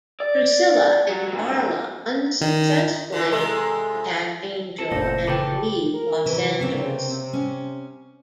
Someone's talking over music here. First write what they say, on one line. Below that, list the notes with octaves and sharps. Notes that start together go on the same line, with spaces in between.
Drusilla and Darla unsuccessfully attack Angel and leave Los Angeles.
D5
F#3
A#2 F#3
D#3
D3 E3
C3 G#3 A4
C4 A4
F#1 A#2 A3 C5 A#6
C#3 A4 B4 G5 D6
A#4
C3 E3
C#3 A#3 C4
C#4